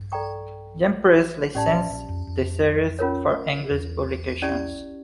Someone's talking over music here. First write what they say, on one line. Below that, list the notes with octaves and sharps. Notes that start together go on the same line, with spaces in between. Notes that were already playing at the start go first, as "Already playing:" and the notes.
Yen Press licensed the series for English publication.
Already playing: G2
A4 D5 G5 A#5 C#6
A1 A2 C#4 G4 D5 A5
A#1 A#2
A#1 A#2
F2
F2
C#4 F4 A#4 C#5
E2
C#4 E4 G4 D5